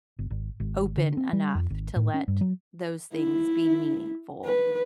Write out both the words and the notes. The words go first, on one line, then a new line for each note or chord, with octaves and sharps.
open enough to let those things be meaningful,
G1
G#1
G#1
D3
C4
G3
F2
G#1
A2
C#4
G2
F#3
E4
B4